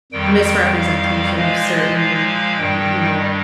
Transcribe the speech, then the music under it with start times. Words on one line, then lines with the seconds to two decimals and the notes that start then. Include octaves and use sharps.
misrepresentation of certain, you know,
0.12 F2 D#3 G3 G5
0.44 G5
0.74 F5
1.36 A#2 F3 G#3 F5
1.66 D#5
1.98 F5
2.28 F5
2.59 G2 D#3 G3 G5